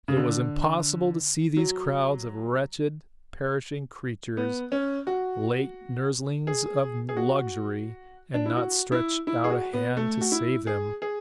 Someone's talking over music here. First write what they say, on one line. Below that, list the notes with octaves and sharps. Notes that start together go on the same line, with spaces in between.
It was impossible to see these crowds of wretched, perishing creatures, late nurslings of luxury, and not stretch out a hand to save them.
C#3
D3
F#3
B3
C#4
F#4
G#4
G#4
F#4
D4
E4
F#4
E4
E4
G#4
F#4
B3
A3
F#4
E4
G#4
G#4